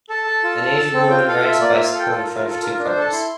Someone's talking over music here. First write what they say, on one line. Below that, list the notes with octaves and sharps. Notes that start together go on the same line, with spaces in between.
An Asian woman rides a bicycle in front of two cars.
A4 A5
A4
F4
A4
A4
C4
F4 G5
A4 F5
F5
F4 E5
A#3 D5
F4 E5
F5
A4 G5
F4 A4
A#4
F4
A#4
F4 A4
F4 A#4
D4 A#4
C5
A4 A5
E4 C6